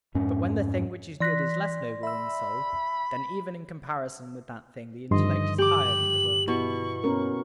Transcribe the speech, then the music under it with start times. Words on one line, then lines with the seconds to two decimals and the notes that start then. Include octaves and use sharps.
But when the thing which is good is less noble than the soul, then even in comparison with that thing the intellect is higher than the will.
0.15 F2 G#2 C#4
1.20 E3 D5 C6 F#6 A#6 B6
2.03 E5 B5 E6
5.11 G2 D3 D#3 F3 D#5 C6
5.58 G4 D6 F#7
6.48 B2 E4 C#6
7.04 B3 C#4 A#4